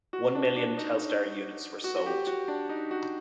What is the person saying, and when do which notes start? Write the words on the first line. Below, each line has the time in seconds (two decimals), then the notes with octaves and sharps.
One million Telstar units were sold.
0.13 F#4
0.35 D4
0.56 D4
0.77 D#4
1.84 F#4
1.96 F#4
2.06 G4
2.27 F#4
2.48 D4
2.69 D#4
2.91 F#4